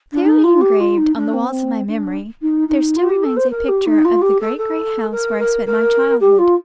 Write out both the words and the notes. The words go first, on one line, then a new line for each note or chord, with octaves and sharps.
Clearly engraved on the walls of my memory there still remains a picture of the great gray house where I spent my childhood.
D4
D#4
F4
G4
F4
D#4
D4
C4
D4
D#4
D#4
F4
G4
A4
C5
A#4
G4
D#4
F4
G4
A4
A4
A#4
A#4
A#4
G4
F4